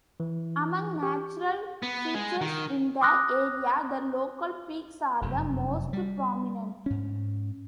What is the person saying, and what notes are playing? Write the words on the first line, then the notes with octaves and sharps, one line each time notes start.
Among natural features in the area, the local peaks are the most prominent.
E3
G4
B3
G#3
D#3
D6 D#6 F6 F#6 A#6
F1 F#2
G3
G#2 C#4